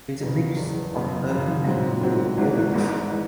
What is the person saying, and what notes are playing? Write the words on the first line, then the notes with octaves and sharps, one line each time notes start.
There is a mix of urban and rural areas.
F#1 E2 C#3
F#1 E2 C#3
F#1 F#2 C#3
F#1 F#2 C#3
G#2 F#3 C4
G#2 F#3 C4
G#1 G#2 E3
G#1 G#2 E3
E3 G#3